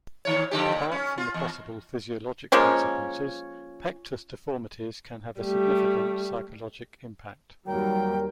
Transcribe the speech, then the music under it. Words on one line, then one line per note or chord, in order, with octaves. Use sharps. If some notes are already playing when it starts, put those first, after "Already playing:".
Apart from the possible physiologic consequences, pectus deformities can have a significant psychologic impact.
A#2 D#3 C#5
F2 D3 G4
A#2
C#4
F4
E2
F3 G#3 A#3 C#4
G3 A3
D#2 F#3 G3 A#4 G5